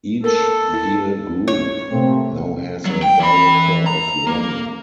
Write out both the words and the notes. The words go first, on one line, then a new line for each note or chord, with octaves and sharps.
Each year group now has a Director of Learning.
A4 A#4
E4
C#5
C3 A3 A#3 C4
F#3
G5
E3 B5
A#5
A#3